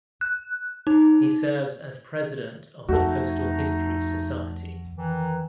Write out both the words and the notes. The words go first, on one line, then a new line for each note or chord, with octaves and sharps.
He serves as President of the Postal History Society.
F#6
D#4
F2 A3 D#4 F#4 A4
D#3 E3